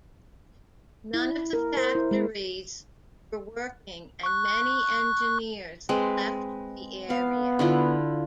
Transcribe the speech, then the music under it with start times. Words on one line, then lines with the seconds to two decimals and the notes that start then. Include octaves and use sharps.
None of the factories were working and many engineers left the area.
1.14 E4
1.53 A#4
1.77 C5
1.95 E4
2.11 G#3
4.23 C#6 F#6
5.89 G#3 C4 B4
7.10 B3 F5
7.59 D3 E4 F4